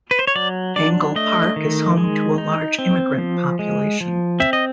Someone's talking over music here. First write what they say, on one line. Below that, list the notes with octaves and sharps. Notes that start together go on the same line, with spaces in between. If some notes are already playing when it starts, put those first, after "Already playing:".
Angle Park is home to a large immigrant population.
B4
C5
C#5
F#3 D5
D4 D5
A3 D#5
D#3
G#3
D#4
C4
F3
G#3
F3
C4 E5
D#5